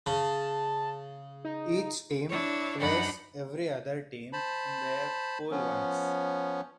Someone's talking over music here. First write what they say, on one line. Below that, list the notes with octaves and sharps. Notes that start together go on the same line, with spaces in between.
Each team plays every other team in their pool once.
C#3 A5
D#4
D4 E4 C#5
F#2 D4 D#4 F#5 B5
C5 A5 B5
F3 B3 C#4